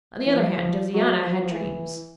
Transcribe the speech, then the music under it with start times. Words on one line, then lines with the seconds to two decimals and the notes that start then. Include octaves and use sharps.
On the other hand, Josiana had dreams.
0.26 E3
0.35 F3
0.93 F#3
1.23 F3
1.32 F#3
1.42 F3
1.52 E3